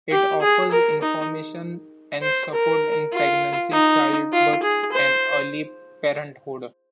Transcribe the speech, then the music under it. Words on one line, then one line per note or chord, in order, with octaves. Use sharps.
It offers information and support in pregnancy, childbirth and early parenthood.
G4
G#4
A#4
D#4
C5
A#4
F4
D#4
F4
G#4
C5